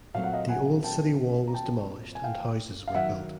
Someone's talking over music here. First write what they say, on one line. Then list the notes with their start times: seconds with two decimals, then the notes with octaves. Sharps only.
The old city wall was demolished and houses were built.
0.14 A#2 F#3 A3 C4 F5
0.24 F#5
0.33 D#5 F5
0.49 F#5 G#5
0.84 G5 A5
1.47 A#5
1.54 G5 A5
2.15 G#5
2.24 F5 G5
2.88 F5
2.94 D#3 F#3 A#3 E5 F#5